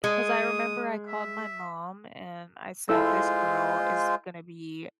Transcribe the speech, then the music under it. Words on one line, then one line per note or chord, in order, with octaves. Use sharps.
'cause I remember I called my mom, and I said, "This girl is gonna be"
G#3 D#6
E5
G#3 E4 F4 A4 C5 E6